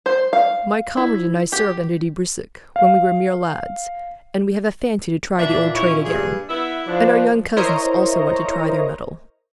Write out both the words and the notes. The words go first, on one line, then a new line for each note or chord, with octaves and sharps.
"My comrade and I served under De Brissac, when we were mere lads, and we have a fancy to try the old trade again; and our young cousins also want to try their metal."
C5
F5
E4
G4
F5
A#2 E3 D4 E5
C#4 D#4 E4 C#5
G2 G#4
B3 E4 E5
B2 D3 F3 D4
E4 A#4 C5 C#5 D#5 A#5